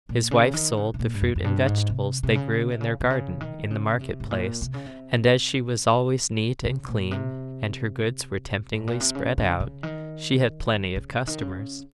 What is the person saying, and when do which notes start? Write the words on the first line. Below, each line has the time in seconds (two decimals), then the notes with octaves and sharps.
His wife sold the fruit and vegetables they grew in their garden in the Market Place, and as she was always neat and clean and her goods were temptingly spread out she had plenty of customers.
0.09 A#2
0.31 C#3
0.53 D#3
0.77 C#3
0.94 C3
0.99 A#2
1.14 G2
1.22 F2
1.35 F2
1.45 G2
1.67 G#2
1.90 C3
2.23 C3
2.35 C#3
2.72 C3
2.81 C#3
3.00 C3
3.10 C#3
3.41 D#3
3.71 C#3
4.01 C3
4.20 G#2
4.31 A#2
4.61 C3
4.74 C#3
4.86 C3
6.65 C#3
6.88 A#2
7.11 C3
8.74 G#2
8.87 A#2
9.00 C3
9.15 C#3
9.38 C#3
9.60 C#3
9.83 D#3
10.96 C#3
11.27 D#3
11.41 C#3